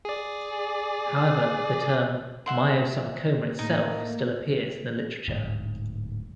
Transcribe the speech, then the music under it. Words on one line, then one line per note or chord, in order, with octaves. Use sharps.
However, the term myosarcoma itself still appears in the literature.
G#4 D5
E5 F#5 C6
A2 A3 A#3 D#4
D1 G#2